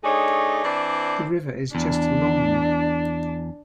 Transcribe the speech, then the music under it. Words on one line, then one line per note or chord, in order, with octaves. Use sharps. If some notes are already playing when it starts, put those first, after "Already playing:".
The river is just long.
A3 D4 D#4 G#4 C#5
E3 C4 D4 D5
E2 D4